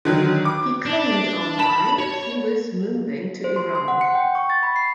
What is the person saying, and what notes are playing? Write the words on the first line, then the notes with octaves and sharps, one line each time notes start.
He claimed online he was moving to Iran.
D3 D#3 F#3
D6
D4
A5 B5 E7
C#5
C5
C6
C6
F#5
C#7
G5
C#6
A6
B5
C7